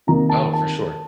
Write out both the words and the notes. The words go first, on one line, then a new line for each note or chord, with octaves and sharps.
Oh, for sure.
C3 D#3 A#3 A#5
A5
A5